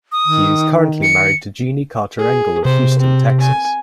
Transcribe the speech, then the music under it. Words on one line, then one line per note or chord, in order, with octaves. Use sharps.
He is currently married to Jeanie Carter Engle of Houston, Texas.
D#6
D#3
C#7
G#4
C3 C5
C4
G#5